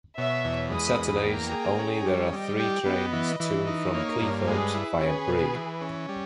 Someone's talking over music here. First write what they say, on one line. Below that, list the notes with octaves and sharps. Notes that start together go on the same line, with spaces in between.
On Saturdays only there are three trains to and from Cleethorpes via Brigg.
B2 C#5 E5
E2
G#3 B5 D#6
E2
A#3 G5 A#5
G#4
C#4
G3
G3 D#5 G5
G4
B3 B4 D#5
E3
E3
D#4
A#3 A#4 C#5
G2
G#3 G#4 B4
E4
C#4 G#4 B4
B2
E3
C#4
G3